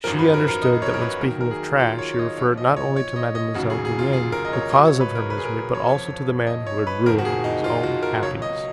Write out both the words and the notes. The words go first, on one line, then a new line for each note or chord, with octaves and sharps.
She understood that when speaking of "trash" he referred not only to Mademoiselle Bourienne, the cause of her misery, but also to the man who had ruined his own happiness.
G#1 F#2 F3 A#4
B4
A#4
A#4
D#5
C#5
A#4
B4
D#2 D#3 F#3 A#4
A#4
G#4
F4
C#5
C#5
D#5
B1 A#2 F3 C#5
D#5
C#5
C#5
D#5
D#5
F1 D#2 C#3 F#3 F#4
G#4
G#4
F4
G#4
A#4
D#5
C#5
C#2 B2 F#3 D#5
C#5
B4
A#4
B4
G#4
A#4
C#5
F#1 F2 F3 C#5
D#5
C#5
B4
F#1 F2 D#3 A#4
F#4
G#4
D#4
F4
F#4
A#4
C#2 B2 F#3 C#5
D#5